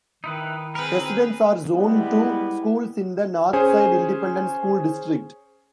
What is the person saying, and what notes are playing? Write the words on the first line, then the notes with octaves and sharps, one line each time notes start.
Residents are zoned to schools in the Northside Independent School District.
D#3 D#4 E4 B4
C4 G#4 A#4 B4
G3 G#3 B3 E4
C#4 G#4 C5 G#5